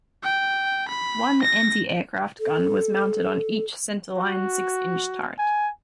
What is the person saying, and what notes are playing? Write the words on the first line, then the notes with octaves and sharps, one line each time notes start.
One anti-aircraft gun was mounted on each center-line six-inch turret.
G5
B5
A#6
A4
F#4
G#5